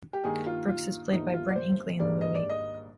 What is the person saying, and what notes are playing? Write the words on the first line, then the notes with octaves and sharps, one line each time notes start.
Brooks is played by Brent Hinkley in the movie.
G4
G2 D#3 A#3 D#4 G#4
F4
F4
G1 G2 F3 A#3 D#4
F4
D5
C5
G#1 G#2 G3 A#3 D4 D5
D#5
D5
D#5